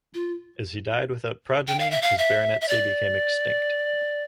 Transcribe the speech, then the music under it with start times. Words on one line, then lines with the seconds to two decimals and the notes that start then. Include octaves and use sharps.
As he died without progeny his baronetcy became extinct.
0.14 F4
1.68 G5
1.79 F5
1.91 E5
2.02 F5
2.18 E5
2.61 E5
2.68 D5